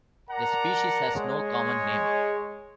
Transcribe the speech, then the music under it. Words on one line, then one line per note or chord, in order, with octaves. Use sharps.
The species has no common name.
A#4 D5 F#5 A5 A#5
G#3 C#5